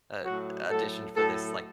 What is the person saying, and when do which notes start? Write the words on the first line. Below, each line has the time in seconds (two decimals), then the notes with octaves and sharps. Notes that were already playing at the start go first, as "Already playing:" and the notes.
a addition for this like
0.25 A2 F#3 F#4
0.70 A2 F#3 A4
1.16 A2 F#3 A4